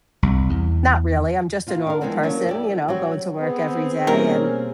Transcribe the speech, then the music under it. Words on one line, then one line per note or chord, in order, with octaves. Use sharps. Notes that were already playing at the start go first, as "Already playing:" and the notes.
not really, I'm just a normal person, you know, going to work every day, and
C2
E2
D#2 F4
D4 A#4
E3 F3 G#3 B3 C4 D4
D#3 F#3 A#3 C#4 D4
E4 G4 D5
F#3 G3 C4 F#4
B3 C4 G#4
B2 G3 A#3 C#4 A#4